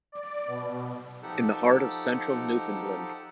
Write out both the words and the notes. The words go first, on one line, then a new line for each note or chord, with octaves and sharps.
In the heart of central Newfoundland.
D5
B2
F3 D#4 G4 A4 F#5